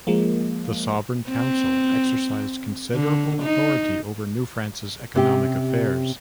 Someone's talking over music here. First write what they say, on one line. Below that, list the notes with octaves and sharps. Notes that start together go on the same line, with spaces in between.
The Sovereign Council exercised considerable authority over New France's economic affairs.
F3 G#3 A#3
C4
D3
D#4
C3 C#4 G4